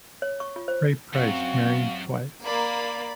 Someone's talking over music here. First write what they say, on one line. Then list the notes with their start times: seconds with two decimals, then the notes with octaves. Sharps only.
Ray Price married twice.
0.22 C#5
0.40 C#6
0.56 F4
0.68 C5
1.14 F#2 C4 F#4 F5
2.45 A#3 D5 B5